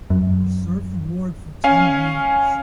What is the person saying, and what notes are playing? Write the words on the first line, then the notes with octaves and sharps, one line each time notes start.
He served the ward for ten years.
F#2
C#4 F5 G#5